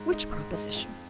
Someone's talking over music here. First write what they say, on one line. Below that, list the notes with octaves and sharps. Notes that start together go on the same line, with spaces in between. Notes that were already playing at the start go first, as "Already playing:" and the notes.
"Which proposition?"
Already playing: G#2
G#3 D#4
G#2
G#3 D#4
F2